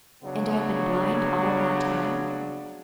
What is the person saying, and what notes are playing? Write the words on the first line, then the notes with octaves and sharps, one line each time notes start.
"And I've been blind all that time?"
C#3 F#3 B3 D4